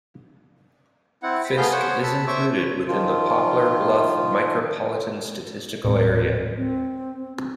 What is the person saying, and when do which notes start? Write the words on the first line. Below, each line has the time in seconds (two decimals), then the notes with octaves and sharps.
Fisk is included within the Poplar Bluff Micropolitan Statistical Area.
1.23 C4 E4 F#5
1.45 B5
1.57 A3 B3 G#4 B4 F5 G6
1.72 C5 C#5 F#5
2.03 A5 B5 E6
2.27 C5 C#5 E5 C#6 D6 E6
2.88 D#3 F3 F4
5.85 D#1 A2 G#3 C4
6.57 C4